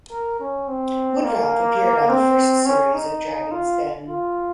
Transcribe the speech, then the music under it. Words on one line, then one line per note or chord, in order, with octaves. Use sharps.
Woodroffe appeared on the first series of Dragons' Den.
A#4
C#4
C4
A#3
C4
C#4
D#4
F4
F4